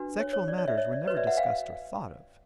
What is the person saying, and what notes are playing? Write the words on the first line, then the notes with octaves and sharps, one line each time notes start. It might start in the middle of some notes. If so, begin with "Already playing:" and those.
Sexual matters were never discussed or thought of.
Already playing: D4 F#4 B4
C#5
C#5
D5
C#5 D#5
D5 E5
C#5 D#5
D5
F#4 B4 C#5 D#5
D5 E5
E5 F#5
F5 G5